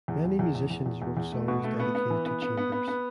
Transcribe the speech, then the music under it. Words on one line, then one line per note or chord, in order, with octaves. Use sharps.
Many musicians wrote songs dedicated to Chambers.
E2
E2
E2
E2
E2
E2
E2
E2
A3
B2
A3
B3
B3
E3
B3
B3
B3
B3
B3